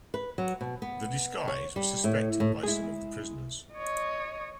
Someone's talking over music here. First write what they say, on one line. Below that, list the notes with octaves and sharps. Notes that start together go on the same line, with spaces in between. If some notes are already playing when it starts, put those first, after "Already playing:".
The disguise was suspected by some of the prisoners.
B4
F#3
B2
B3
C#5
G3
A2
A2
G#3 E4 G#4
C#5 D#5